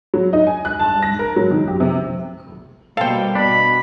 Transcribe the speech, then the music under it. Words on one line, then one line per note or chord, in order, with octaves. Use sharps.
Pioneer Brewing Co.
F#3
D#4
G#5
F#6
A5
A#6
A#4
F#3
D#3
G4
C3
B2 G3 A#3 A4 C5 F5 G5
B2 D4 B5